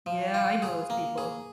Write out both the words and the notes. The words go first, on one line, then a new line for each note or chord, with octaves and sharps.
Yeah, I know those people.
F3
F4
G#4
A#3
G#4